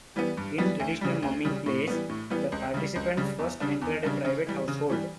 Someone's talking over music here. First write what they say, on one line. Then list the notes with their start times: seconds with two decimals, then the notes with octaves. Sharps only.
In traditional mumming plays, the participants first entered a private household.
0.16 E3 G3 B3
0.37 G2
0.58 E3 G3 B3
0.79 D2
1.01 C#3 G3
1.22 D2
1.45 C#3 G3
1.66 A2
1.88 E3 G3 B3
2.09 A2
2.30 E3 G3 B3
2.52 C#2
2.74 C#3 G3
2.96 C#2
3.17 C#3 G3
3.39 E2
3.60 C#3 G3 D4
3.81 E2
4.03 C#3 G3 D4
4.25 C#3
4.47 E3 G3
4.68 C#3
4.89 E3 G3